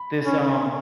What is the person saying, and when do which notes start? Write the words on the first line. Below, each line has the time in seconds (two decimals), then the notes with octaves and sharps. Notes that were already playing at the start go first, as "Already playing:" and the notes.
this, um
Already playing: B5
0.26 C#4